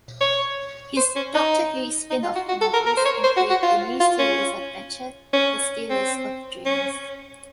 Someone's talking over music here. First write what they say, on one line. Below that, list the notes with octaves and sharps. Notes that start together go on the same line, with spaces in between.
His "Doctor Who" spin-off novels include the New Series Adventure "The Stealers of Dreams".
C#5
C5
C#4
D#4
D#4
F4
F#4
F#4
A4
A#4
A#4
C5
C#5
C5
F#4
F#4
F4
F4
C#4
C#4
C4
C#4